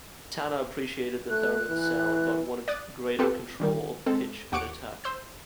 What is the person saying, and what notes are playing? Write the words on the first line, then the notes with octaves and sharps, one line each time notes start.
Tanner appreciated the theremin's sound, but wanted greater control of pitch and attack.
A3 F#6
E3
D5 D#6 F#6 A6
C4 F4 G4 A4 B4
D3 D#3 G3
G#3 C4 A4
D#2 F#5 C#6 D6 C#7 D7
C5 E6 G6